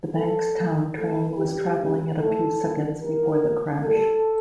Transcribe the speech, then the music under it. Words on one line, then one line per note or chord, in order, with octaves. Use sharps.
The Bankstown train was travelling at a few seconds before the crash.
A2 E3 A3 A4
G2 E3 A3
A2 F3 A3 A4
F2 C#3 G3 G4
C#2 C#3 G3
A2 F3 A3 A4
A#2 F3 A#3
G2 E3 G3 A#3 A#4
A#2 A3
A2 G3 A#3 A4